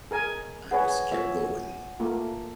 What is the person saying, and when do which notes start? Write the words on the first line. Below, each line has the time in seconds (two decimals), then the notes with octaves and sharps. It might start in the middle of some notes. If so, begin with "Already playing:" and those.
I just kept going,
0.11 G#4 A#4 G#5
0.71 G#4 B4 C#5 F#5 G#5
1.12 F4 C#5 E5
2.00 A3 A#3 F4